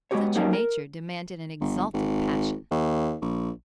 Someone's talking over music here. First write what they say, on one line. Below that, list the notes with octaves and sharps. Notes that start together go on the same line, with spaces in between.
Such a nature demanded an exalted passion.
G#3 B3 D4 F#4 G4 C#5
F#3 G3 A#3 C#4 D#4 G4
A#4
G1
G#1
D#2
A#1